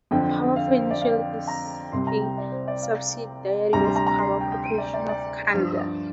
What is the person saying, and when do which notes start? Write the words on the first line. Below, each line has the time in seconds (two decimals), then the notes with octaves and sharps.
Power Financial is a subsidiary of Power Corporation of Canada.
0.11 F2 D3 F3 G5
0.56 F5
0.68 C5
0.79 C5
0.90 D5
1.01 F5
1.48 A#5
1.92 C2 C3 G3 C6
2.07 A#5
2.22 G5
2.38 D5
2.52 C5
2.68 D5
2.82 F5
3.73 D2 C3 G3 A#5
3.84 C6
3.96 A#5
4.07 A#5
4.19 C6
4.41 G5
4.52 G5
4.78 D5
4.94 D5
5.09 D5
5.54 G2 F3